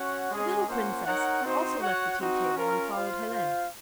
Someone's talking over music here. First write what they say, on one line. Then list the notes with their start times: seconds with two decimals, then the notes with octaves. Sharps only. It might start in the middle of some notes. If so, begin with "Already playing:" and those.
The little princess had also left the tea table and followed Helene.
Already playing: C#4 F#4 C#5 F#5
0.30 G#3 C#4 G#4 D#5
0.68 A#3 C#4 F4 C5 F#5
1.06 D#4 A#4 C#5 F#5
1.43 C4 D#4 F#4 C5
1.80 F#4 C#5 F#5
2.18 C4 D#4 F#4
2.55 C#4 F4 A#4
2.92 F4 C5 F5
3.30 F4 C5 F5